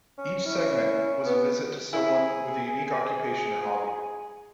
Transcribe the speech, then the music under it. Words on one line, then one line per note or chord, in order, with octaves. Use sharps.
Each segment was a visit to someone with a unique occupation or hobby.
C#4
C#4 E4
B3
E4 G#4